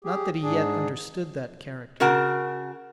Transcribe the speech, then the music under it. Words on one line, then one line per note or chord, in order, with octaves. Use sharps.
Not that he yet understood that character.
G4 G#4
G#2 D4 G#4
C#3 F#4 A#4 F#5 A5